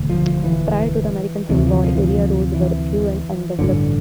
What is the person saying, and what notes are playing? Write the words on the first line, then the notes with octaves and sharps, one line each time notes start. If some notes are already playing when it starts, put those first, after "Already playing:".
Prior to the American Civil War, area roads were few and undeveloped.
Already playing: E1 D2 D3
F3
F3
E3
D2 C3 E3
F3
F3
E3
F3
E3
A1 G2 D3 E3